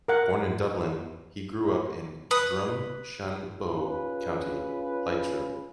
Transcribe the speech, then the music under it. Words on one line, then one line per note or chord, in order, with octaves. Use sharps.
Born in Dublin, he grew up in Drumshanbo, County Leitrim.
A#4 F#5
B4 D#6
C#4 F4 G#4 B4